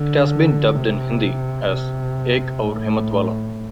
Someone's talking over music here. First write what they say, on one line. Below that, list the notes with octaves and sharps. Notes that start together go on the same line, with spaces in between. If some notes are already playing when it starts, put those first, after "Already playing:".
It has been dubbed in Hindi as "Ek Aur Himmathwala".
Already playing: D3
C3
C3
A2